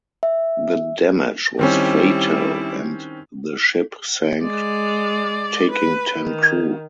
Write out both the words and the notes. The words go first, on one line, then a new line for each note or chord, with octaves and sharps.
The damage was fatal and the ship sank taking ten crew.
E5
D#3 G3 C4 C#4 E4
G#3 D5
B4
D#3